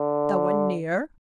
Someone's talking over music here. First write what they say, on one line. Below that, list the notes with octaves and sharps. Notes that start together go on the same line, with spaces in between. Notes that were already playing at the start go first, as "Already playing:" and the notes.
No one near.
Already playing: D3